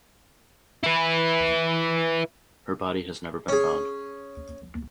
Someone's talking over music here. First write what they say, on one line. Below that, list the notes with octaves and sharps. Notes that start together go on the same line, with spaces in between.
Her body has never been found.
E4 B4
C#4 G#4